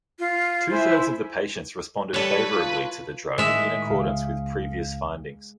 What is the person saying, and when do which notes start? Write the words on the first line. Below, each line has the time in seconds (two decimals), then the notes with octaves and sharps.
Two-thirds of the patients responded favorably to the drug, in accordance with previous findings.
0.19 F4
0.71 E4 C5 E5 G#5
2.14 G3 A4 B4 C#5 B5
2.55 F4
3.38 A2 D#3 G#3 E5
3.90 C#2 F5